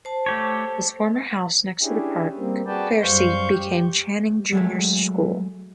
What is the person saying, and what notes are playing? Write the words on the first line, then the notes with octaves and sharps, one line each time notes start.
His former house next to the park, Fairseat, became Channing Junior School.
C5 A5
A3 G4 C#5
C#4 D4 E4 G4 G#4
G3 A#3 C4
F#4 G#4 B4 D5 G5 A5
F#2 G3 C5 F5 C#6 G6
G4
F#3 G#3 A3